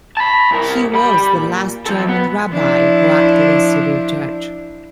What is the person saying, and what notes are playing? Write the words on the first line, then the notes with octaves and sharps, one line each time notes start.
He was the last German rabbi who acted as civil judge.
A5 B5
C2 A#4
G3 B5
A#2
F3 A4
B3
F3 D4 E4